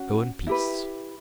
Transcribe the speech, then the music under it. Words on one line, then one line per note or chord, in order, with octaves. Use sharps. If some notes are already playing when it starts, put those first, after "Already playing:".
Go in peace!
Already playing: C#4 F#4
E4 G4 B4 E5